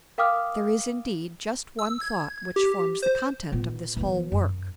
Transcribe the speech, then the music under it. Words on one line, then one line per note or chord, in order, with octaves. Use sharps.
There is, indeed, just one thought which forms the content of this whole work.
A#4 F5 G5 D6 D#6 F6
E6
G#6
G4
C5
A#2 B3
E3 B3
F#2